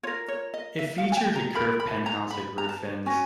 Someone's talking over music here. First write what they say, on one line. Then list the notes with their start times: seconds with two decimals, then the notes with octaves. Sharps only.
It features a curved penthouse and roof fins.
0.03 F4 A#4 C#5
0.28 C#5
0.54 D#5
0.79 E5
0.98 F5
1.12 G#5
1.17 G5
1.35 A#5
1.55 F4 A#4 B5
1.80 B5
2.06 A#5
2.31 B5
2.58 A#5
2.69 A5
3.06 C#4 F#4 G#5